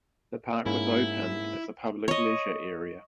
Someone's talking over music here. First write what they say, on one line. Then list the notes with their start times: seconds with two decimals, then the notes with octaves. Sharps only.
The park was opened as a public leisure area.
0.66 G#2 A#3 C#4 E4
2.08 C#5 D#5